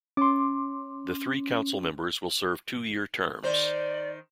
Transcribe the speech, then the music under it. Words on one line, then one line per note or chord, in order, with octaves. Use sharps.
The three Council Members will serve two-year terms.
C#4 C6 D6
D#3 C5 D5